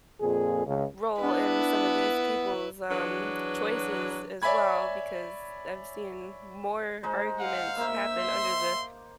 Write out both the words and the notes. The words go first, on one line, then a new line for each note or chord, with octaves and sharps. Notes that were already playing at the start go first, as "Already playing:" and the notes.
role in some of these people's, um, choices as well because I've seen more arguments happen under the
F2 A#2 G#4
C#2 C#3
B3 D4 E4 B4
E3 F#3 D4 F#4 G#4 B4
C#5 D5 E5 G#5 B5 G#6
G#3 D#4 C5
F5 F#5
A#3 C5 E5 E6
C6